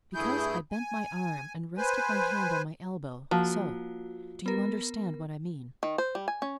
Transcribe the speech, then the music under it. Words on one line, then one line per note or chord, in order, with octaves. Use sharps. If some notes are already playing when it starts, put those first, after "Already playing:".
"Because I bent my arm and rested my hand on my elbow--so; do you understand what I mean?"
G2 A3 E4 G#4 G6
G#5
B4 C5 G#5
F3 A#3 F#4
B3 A#4
D#3
C5
G3
G#5
C#4